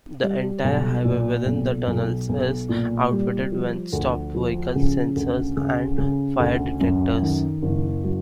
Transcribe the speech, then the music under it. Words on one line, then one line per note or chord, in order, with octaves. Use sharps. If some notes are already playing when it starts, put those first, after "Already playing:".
The entire highway within the tunnels is outfitted with stopped-vehicle sensors and fire detectors.
G3
B1
A#2
B1
B1
B1
A#2
G3
F3
D2
F3
C#3
D2
C#3
C#3
D2
F#2
D#3
F#1
F#3